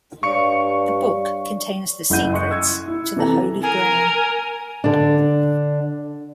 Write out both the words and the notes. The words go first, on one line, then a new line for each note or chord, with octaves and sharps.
The book contains the secrets to the Holy Grail.
G2 C#5 D5 F5 C#6 C#7
F#1 E4 F#5 G6 D#7
D#5 C6 C#6 F#6 C#7
E6 G#6 C#7
E4
C3 E3 A4 A#5
A#4 G#5
D3 D4